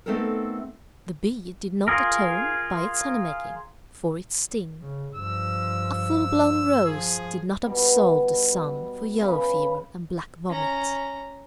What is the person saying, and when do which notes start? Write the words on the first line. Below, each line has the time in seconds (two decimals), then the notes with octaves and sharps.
The bee did not atone, by its honey-making, for its sting; a full-blown rose did not absolve the sun for yellow fever and black vomit.
0.06 A3 B3 C4 D#4 A4 A#4
1.88 F4 G#4 A#4
4.82 C#3
5.15 G2 F3 E6
6.85 F3 G#4
7.66 B2 G3
9.21 C#3 B4
10.49 C#4 A#5